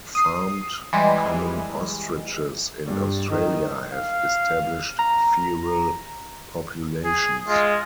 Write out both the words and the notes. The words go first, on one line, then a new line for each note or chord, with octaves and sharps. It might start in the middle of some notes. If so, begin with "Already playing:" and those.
Farmed common ostriches in Australia have established feral populations.
D#6 C7
E3 G3 G#3
G2
D#3
F5
A#5
G#4
G#3 F4